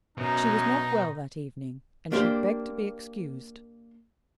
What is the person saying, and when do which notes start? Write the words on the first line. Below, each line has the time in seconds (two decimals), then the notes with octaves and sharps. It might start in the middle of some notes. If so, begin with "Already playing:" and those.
She was not well that evening, and she begged to be excused.
0.18 F#2 B2 D#4 A#5
2.12 A#3 D4 G4 C5